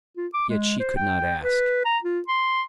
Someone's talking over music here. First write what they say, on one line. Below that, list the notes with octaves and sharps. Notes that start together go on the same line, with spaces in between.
Yet she could not ask.
F4
D6
G#3
C5
G5
B4
A#5
F4
C6